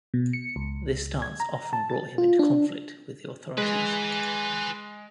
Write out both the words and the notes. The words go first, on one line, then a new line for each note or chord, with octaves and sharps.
This stance often brought him into conflict with the authorities.
B2
C#7
C#2
G#6
A#5
A5
A6
F4
D4
G#3 B4 G#5